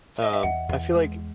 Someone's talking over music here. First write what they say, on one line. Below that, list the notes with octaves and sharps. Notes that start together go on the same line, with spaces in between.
Um, I feel like
D#5
E5
E2 F#5
E2
G#3